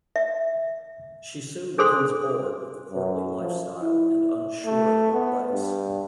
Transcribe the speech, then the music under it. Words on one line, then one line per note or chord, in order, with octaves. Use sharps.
She soon becomes bored with the courtly lifestyle and unsure of her place.
E5
D4 G#4 A4 C5 C6
F#2
F3
E4
A3
B3
G2